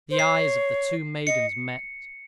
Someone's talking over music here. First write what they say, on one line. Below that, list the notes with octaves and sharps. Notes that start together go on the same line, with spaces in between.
The eyes of the two maidens met.
C5
C#5 C7
D#5 C#7